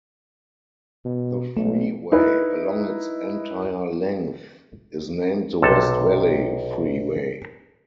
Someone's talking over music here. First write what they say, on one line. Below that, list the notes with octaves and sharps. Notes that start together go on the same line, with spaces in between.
The freeway, along its entire length, is named the West Valley Freeway.
B2
B1 A3
D#4 E4 B4
B1 C3 A4 A5